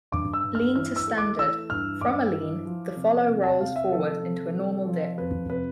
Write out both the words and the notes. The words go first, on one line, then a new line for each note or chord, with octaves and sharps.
"Lean to Standard:" From a lean, the follow rolls forward into a normal dip.
G2 D6
E6
G2
F6
E3 F6
E6
A3
D6
E3 E6
G2 F6
G2 D6
E3
F3
C3
C3
A5
C3 F5
E5
F3 A4
C3
C3
F3
F2 B4
C3 B4